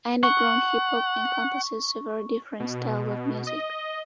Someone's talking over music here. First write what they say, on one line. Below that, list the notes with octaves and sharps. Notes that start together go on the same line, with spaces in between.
Underground hip-hop encompasses several different styles of music.
F#5 C#6
B2
D#5